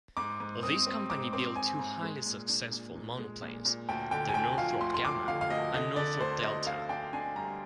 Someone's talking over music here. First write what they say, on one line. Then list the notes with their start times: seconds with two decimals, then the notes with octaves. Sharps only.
This company built two highly successful monoplanes, the Northrop Gamma and Northrop Delta.
0.17 G#2 D6
0.40 G#2
0.63 C4 D#6
0.87 C4
1.10 G#2 D6
1.33 C4 D6
1.56 C4 G#5
1.79 G#2
2.02 G#3
2.26 A#2
2.49 D4
2.72 A#2
2.95 A#2
3.18 G#3
3.42 A#2
3.65 A#2
3.89 D2 G5
4.11 D3 G5
4.29 G#5
4.34 D2 G5
4.58 F3 F5
4.81 D2 C6
4.94 C6
5.04 F3 D6
5.28 D3 F5
5.41 F5
5.50 D2 D#5
5.74 D3 D#5
5.96 D3 D5
6.20 D2 C5
6.43 D2 D#5
6.66 D2 F5
6.89 D4 G5
7.13 D4 G#5
7.36 G3 A#5